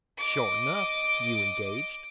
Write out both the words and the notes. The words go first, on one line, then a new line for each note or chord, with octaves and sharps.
"Sure enough, you engaged?"
D#5 D6